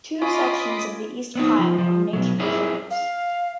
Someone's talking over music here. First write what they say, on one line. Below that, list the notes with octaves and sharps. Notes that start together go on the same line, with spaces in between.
Two sections of the East Pyl are nature reserves.
C#4 F4 D#5 B5 D6
B3 C4 D#4
F3
F3
B2 F#3
C4 E4 G#4 C#5
F5